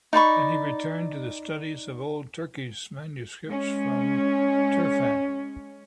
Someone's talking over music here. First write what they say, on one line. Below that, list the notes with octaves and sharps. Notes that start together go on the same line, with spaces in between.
Then he returned to the studies of old Turkish manuscripts from Turfan.
D#4 D5 B5 C#6
G#3 C#4